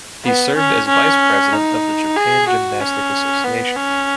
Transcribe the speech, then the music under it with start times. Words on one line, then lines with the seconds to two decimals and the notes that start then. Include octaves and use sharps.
He served as vice president of the Japan Gymnastic Association.
0.24 B3
0.56 C#4
0.88 C#4
1.52 D#4
2.16 G#4
2.47 F#4
2.80 C#4
3.44 B3
3.76 C#4